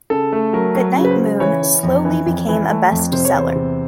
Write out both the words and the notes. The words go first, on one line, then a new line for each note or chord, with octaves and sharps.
"Goodnight Moon" slowly became a bestseller.
C#3 A4
A3
F#3 A#4
F#3
C#3
B4
C5
C#3
E3 C#5
E3
F2
E3
F2
E3
A3
F2
C3 C5
C#5
E2 C5
C3